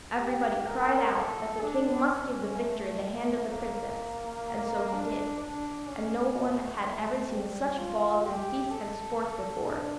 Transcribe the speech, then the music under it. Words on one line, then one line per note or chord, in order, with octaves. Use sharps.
Everybody cried out that the king must give the victor the hand of the princess; and so he did, and no one had ever seen such balls and feasts and sports before.
G4
A#4
A4
D4
C#4
A3
A3
A#3
D4
D4
C#4
A3
A3
G3
F4
G4
A4
A4
D4